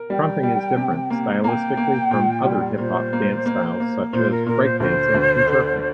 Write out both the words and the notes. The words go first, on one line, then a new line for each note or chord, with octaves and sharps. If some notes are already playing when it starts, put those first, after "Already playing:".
Krumping is different stylistically from other hip-hop dance styles such as Breakdancing and turfing.
Already playing: A#4
G3 G5
G3
C3
A#3
A#3 G5 A#5
A#3
A#2
G3
A#2 C5
A#3
A#3
A#3
A#2 C5
A#4
A#2 A#4
C5
D2 C5
D2
D3